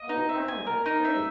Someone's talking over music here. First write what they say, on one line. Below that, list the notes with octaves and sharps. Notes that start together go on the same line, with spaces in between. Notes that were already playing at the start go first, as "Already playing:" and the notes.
Oh, wow. That's great.
Already playing: D#5
D#4
E5
G#5
A#4
D#4
E5